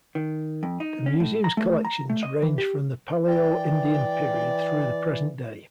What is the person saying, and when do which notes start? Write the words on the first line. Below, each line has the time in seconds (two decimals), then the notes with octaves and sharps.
The Museum's collections range from the Paleo-Indian period through the present day.
0.15 D#3
0.63 F2
0.80 D#4
1.06 C#4
1.20 A2
1.44 A#5
1.57 A3
1.85 A#5
2.10 A3
2.23 D#5
2.42 E3
2.58 G4
3.27 E3 D5 G5